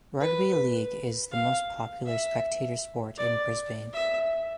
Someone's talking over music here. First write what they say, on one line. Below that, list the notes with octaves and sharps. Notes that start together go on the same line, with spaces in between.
Rugby league is the most popular spectator sport in Brisbane.
B4
F5
E5
D5
E5